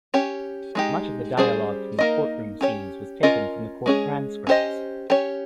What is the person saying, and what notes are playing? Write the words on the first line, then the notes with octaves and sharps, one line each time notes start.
Much of the dialogue from the courtroom scenes was taken from the court transcripts.
C#4 G4 C#5
G#3 D#4 G4
G3 C#4 G#4 C5
A#3 D#4 A#4 D#5
C#4 G4 C#5
C#4 F4 A#4 D#5
G#3 C#4 G#4
C#4 G4 C5 D#5
C#4 G4 C#5